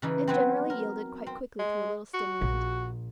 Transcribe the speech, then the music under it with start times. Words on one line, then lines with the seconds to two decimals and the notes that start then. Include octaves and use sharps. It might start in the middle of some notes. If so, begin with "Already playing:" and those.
It generally yielded quite quickly to a little stimulant.
0.02 C#3 E3 D#4
0.28 F#3 B3 C4
0.70 A#4
1.26 C4
1.59 G#3
2.14 F#4
2.41 A#1